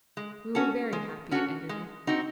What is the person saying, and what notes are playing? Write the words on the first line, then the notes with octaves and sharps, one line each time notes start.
We were very happy at Enderley.
G#3
C#4 F#4 A4
G#3
C#4 F#4 A4
G#3
C4 D#4 F#4